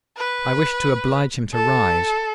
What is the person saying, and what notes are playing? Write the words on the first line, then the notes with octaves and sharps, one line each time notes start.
I wished to oblige him to rise.
B4
A4